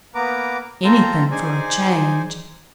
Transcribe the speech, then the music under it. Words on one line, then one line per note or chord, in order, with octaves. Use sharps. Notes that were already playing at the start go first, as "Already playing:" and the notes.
Anything for a change.
A#3 B3 B4 A#5 D6
C4 F4 A4 C5 A#5
D#4 G#4 C5 D5 G#5